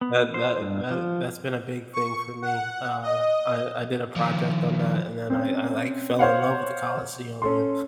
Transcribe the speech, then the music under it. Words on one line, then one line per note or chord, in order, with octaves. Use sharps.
that that that that's been a big thing for me. Uh, I I did a project on that, and then I I like fell in love with the Colosseum, and
B3
C5
G2
F3
C#6
F#5
D#5
D#3 F3
C4 C#4
C5 C#5 F5 F#5
C#4 A4 C6